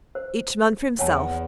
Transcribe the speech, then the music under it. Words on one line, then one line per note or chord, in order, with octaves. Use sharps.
Each man for himself.
C5
E2 C#5 F#5 G#5 A5